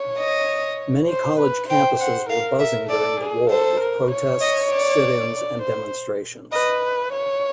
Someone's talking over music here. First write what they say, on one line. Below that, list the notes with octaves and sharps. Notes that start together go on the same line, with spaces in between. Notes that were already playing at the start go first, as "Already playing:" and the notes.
Many college campuses were buzzing during the war with protests, sit-ins, and demonstrations.
Already playing: C#5
D#5
C5
B4
C5 G5
C5 F#5
A#4 F5
E5
A4 D5
G#4
A4 C5
A#4
C#5
D#5
D5
D5
C5
B4 D#5
C#5